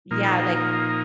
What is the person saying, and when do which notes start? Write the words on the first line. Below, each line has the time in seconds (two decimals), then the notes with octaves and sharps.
Yeah, like
0.11 A#2 F3 A#3 D#4